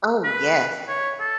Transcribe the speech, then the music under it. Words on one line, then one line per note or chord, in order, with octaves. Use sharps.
Oh, yes.
B4
C#5
A4